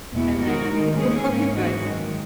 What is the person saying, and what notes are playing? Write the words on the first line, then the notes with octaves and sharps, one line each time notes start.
and then I'm like, "Where are you guys?"
E2 B2 G#3 B3 E4
D#3 G#3 D#4 F#4 A#4
D#3 G#3 D#4
D#2 C#3 G#3 C#4 G#4
G#2 F#3 A#3 C#4
E3 G#3 D#4 F#4
F#2 D#3 G#3